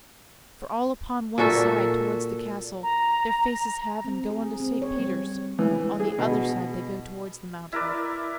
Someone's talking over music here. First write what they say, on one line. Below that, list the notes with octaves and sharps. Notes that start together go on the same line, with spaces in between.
For all upon one side towards the Castle Their faces have, and go unto St. Peter's; On the other side they go towards the Mountain.
A#2 F#4 A4 E5
A#5
C4
G#4
C4
C#5
G3
E3
G#4
B2
E4 A#4 B4 D5